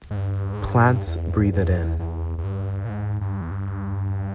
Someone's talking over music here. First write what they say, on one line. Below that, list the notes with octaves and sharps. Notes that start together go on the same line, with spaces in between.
Plants breathe it in...
G#2
G2
G#2
G2
E2
E2
E2
E2
G2
A#2
G#2
G2
E2
G2